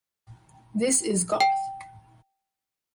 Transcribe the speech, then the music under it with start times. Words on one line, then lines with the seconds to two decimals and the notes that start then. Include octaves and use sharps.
This Is Goth!
1.40 G5